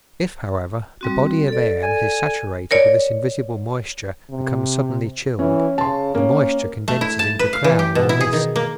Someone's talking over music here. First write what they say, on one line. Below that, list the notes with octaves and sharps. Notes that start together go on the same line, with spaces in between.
If, however, the body of air that is saturated with this invisible moisture becomes suddenly chilled, the moisture condenses into cloud or mist.
G3 C4 F#4
A4 D5
G#5
A#4 C#5 D5
C3
E3 C#4
C#3 A5 C6
A#3 C#4
A3
E4
A5
B4
F5
E3
G4
B2
E4
G#4
D#3
A#3